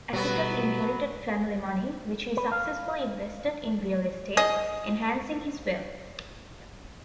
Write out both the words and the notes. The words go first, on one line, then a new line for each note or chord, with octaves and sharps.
Atticus inherited family money, which he successfully invested in real estate, enhancing his wealth.
B2 F#3 G3 A3 B3
B4
F5
G#4 D#5